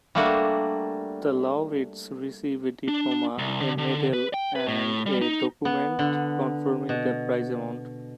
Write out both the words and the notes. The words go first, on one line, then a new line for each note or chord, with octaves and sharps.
The laureates receive a diploma, a medal and a document confirming the prize amount.
G3 A3 A#3 D4 F#4
D4
C2
D3
D3
B4
G5
B4
A2
G3
D#4
B3
D3
B2